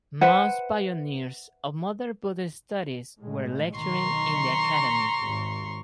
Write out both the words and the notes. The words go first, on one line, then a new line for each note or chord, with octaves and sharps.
Most pioneers of modern Buddhist studies were lecturing in the Academy.
B4 C5 E5 F#5
A2 G#3
B1 D#3 A#5 C6 C#6
G#1 D#2